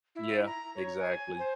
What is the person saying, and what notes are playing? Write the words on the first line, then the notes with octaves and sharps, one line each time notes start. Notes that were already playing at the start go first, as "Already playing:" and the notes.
Yeah, exactly.
E4
A#5
C#5
G#5
C5